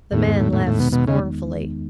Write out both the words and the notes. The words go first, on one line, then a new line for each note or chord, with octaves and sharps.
The man laughed scornfully.
E2 A2 D#3 G#3 B3 D#4
G#2
A2
A2
A2
B2
B2
C#3